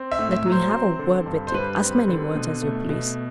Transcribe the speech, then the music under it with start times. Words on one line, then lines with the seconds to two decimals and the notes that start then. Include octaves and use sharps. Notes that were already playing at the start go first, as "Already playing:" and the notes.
Let me have a word with you--as many words as you please.
Already playing: C4
0.11 E5
0.19 A2
0.32 E5
0.46 F#3
0.52 C5
0.72 C4
0.99 D3
1.26 G2
1.47 C5
1.53 G3 B4
1.81 C4
2.08 D3
2.35 B2
2.62 A3
2.89 B2